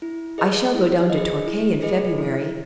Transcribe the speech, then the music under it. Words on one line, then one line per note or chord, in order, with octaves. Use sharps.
I shall go down to Torquay in February.
E4
G#4 B4 D#5
E4
G#4 B4 D#5
E4
G#4 B4 D#5
E4